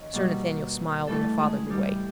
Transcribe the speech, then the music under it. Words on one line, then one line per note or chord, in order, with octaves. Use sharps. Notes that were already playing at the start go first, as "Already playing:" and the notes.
Sir Nathaniel smiled in a fatherly way.
Already playing: D#3 C#4 C#5
B2 G3 A#3 D#4
A2 E3 G3 A3 A4
G#3 G#4
G3 G4